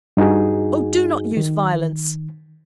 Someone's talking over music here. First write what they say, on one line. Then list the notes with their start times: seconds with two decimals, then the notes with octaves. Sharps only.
'Oh, do not use violence!
0.17 G2 D#4 F#4 G#4
1.37 D#3